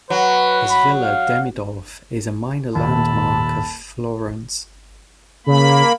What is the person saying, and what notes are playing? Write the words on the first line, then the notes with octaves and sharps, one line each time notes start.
His Villa Demidoff is a minor landmark of Florence.
F#3 B4
B5
F5
D#1 D#2 A4 A5 B5
C#3 A#3 B5